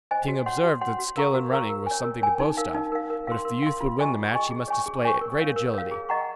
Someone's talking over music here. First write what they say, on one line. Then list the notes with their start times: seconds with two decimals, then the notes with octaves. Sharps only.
The king observed that skill in running was something to boast of, but if the youth would win the match he must display great agility.
0.11 C5 D#5 G#5
0.28 F#4
0.46 C#5 F#5 C6
0.64 F#4
0.81 C#5 F#5 C6
0.99 F#4
1.17 A#4 F5 A#5 C#6
1.34 F#4
1.52 A#4 F5 A#5 C#6
1.69 A#4
1.86 C#5 G#5
2.04 A#4
2.22 C#5 G#5
2.40 D#4
2.57 A#4 F5
2.74 D#4
2.92 A#4 F5
3.10 A#4
3.27 F5 C6
3.45 A#4
3.62 F5 C6
3.81 F4
3.98 G#4 D#5 G#5 C#6
4.15 F4
4.33 G#4 D#5 G#5 C#6
4.51 G#4
4.68 C#5 G#5 C#6
4.86 G#4
5.03 C#5 G#5 C#6
5.21 A#4
5.38 C#5 F5
5.56 A#4
5.74 C#5 F5
5.91 G#4
6.09 D#5 F#5 A#5 C#6